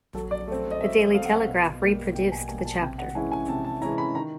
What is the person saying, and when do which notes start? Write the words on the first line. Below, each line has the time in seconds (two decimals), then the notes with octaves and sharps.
The "Daily Telegraph", reproduced the chapter.
0.14 F#3 A4
0.31 D5
0.47 A3 C4
0.71 D#5
0.81 F#3 E5
1.14 A3 C4 F5
1.25 F#5
1.36 F5
1.47 B2
1.82 G3 A#3
2.15 B2 G5
2.32 G#5
2.48 G3 A#3 G#5
2.59 G#5
2.65 A5
2.81 C3 G5
2.98 F#5
3.15 E3 G#3 C#4 E4 G#5
3.32 G#5
3.48 C3 A5
3.65 A5
3.82 E3 G#3 C#4 E4 A#5
3.98 B5
4.15 D#3 A#5